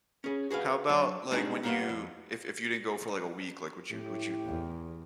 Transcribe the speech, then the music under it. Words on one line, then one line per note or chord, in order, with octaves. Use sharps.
How about, like, when you, if if you didn't go for like a week, like, would you, n would you
C#4 G#4
F#4 G#4 B4 F5
F#3 D4
G3 G#3 C4 D4 D#4 G#4
G3 A#3 B3 A4 C#5 F5
F2
A2 G4
E2